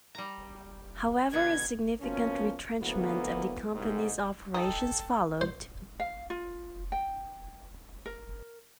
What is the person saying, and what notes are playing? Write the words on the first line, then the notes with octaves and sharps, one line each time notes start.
However, a significant retrenchment of the company's operations followed.
G3 A#5
B2 D3 B3 G#6
B2 F3 A#3 C#4
D2 E3 F#3 A#3 B3
C2 G#2
D#4 A4 G5
C5
F5
F4
G5
A#4